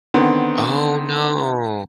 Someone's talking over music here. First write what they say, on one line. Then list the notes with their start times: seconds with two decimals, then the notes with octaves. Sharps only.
Oh, no.
0.14 D3 D#3 B3 C4